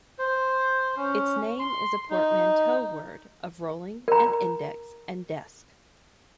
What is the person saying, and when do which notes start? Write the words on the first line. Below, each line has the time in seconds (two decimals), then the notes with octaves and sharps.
Its name is a portmanteau word of "rolling" and "index" and "desk".
0.19 C5
0.97 C#4
1.59 C6
2.10 D#4
4.08 A#4 A#5